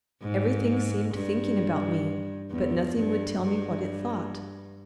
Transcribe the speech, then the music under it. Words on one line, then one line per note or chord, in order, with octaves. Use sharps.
Everything seemed thinking about me, but nothing would tell me what it thought.
G#2
G2
E2
G2
G2